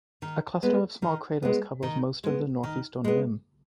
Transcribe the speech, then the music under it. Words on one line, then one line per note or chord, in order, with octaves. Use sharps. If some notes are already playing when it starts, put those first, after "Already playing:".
A cluster of small craters covers most of the northeastern rim.
D#3
G#3 B3
D#3
G#3 B3
D#3
G#3 B3
D#3
G#3 B3